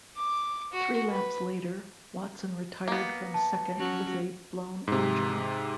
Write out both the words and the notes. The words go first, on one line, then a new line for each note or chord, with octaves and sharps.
Three laps later, Watson retired from second with a blown engine.
D6
F#4
B4
A#3 B3
A5
F#3 C#4 F#4
G#2 C3